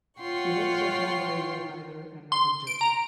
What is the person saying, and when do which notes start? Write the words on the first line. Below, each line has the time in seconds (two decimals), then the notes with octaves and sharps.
She hopes that Mumbai will hide her and never judge her.
0.20 F4 C#5 F#5 G5 C6 C#6
2.32 C6
2.67 D7
2.81 A#5